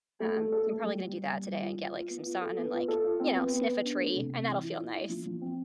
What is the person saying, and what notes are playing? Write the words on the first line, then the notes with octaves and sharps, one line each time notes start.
Um, I'm probably gonna do that today and get like some sun and like, you know, sniff a tree and that'll feel nice.
A3
A4
A4
A3
G3
G3
G3
G3
G3
F4
F4
F4
B3
F4
A4
B3
F4
A4
F4
C4
B3
B3
B3
D4
A3
C3
C3
E3
E4
E4
E4
F3
F3
C4